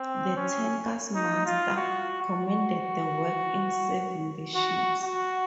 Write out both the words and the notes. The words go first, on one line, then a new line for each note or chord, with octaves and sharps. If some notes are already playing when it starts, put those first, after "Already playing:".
The tanker's master commended the work in saving the ship.
Already playing: C4
C#4
D#4
F4
F#4
F#4
F#4
F#4